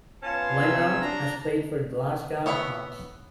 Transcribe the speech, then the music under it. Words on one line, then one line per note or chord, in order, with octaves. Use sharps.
Lamont has played for Glasgow Hawks.
B3 C#4 F4 A5
C3 E6
D4 A#5
B3 C#5 E5 F5 B5